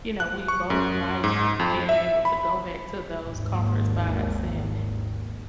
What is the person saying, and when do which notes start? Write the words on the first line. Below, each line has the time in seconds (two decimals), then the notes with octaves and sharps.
you know, we both like being able to go back to those comfort spots, and,
0.20 F#6
0.48 C#6
0.70 F#2
1.24 G#2
1.60 F2
1.89 E5
2.25 B5
3.22 G#1 D#2